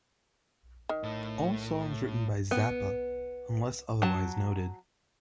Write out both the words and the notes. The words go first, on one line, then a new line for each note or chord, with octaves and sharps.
All songs written by Zappa unless otherwise noted.
D#3
A2
B3
F#3 A5